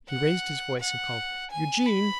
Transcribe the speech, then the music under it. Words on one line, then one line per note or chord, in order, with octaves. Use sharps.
He raised his voice and called 'Eugene!
F#5
F#5
G#5
B5